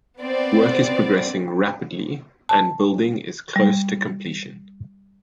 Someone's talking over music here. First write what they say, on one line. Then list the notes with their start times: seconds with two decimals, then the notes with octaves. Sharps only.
Work is progressing rapidly and building is close to completion.
0.18 B3 C4 D5
2.49 A5
3.56 G3